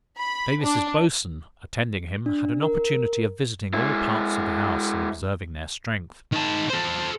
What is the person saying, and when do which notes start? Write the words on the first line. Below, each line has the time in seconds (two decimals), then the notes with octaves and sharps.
Davis's boatswain attending him, had an opportunity of visiting all parts of the house, and observing their strength.
0.18 B5
0.62 D4
2.26 D4
2.62 A#4
3.74 G#3 E4
6.33 D#3 A5
6.70 A4 C5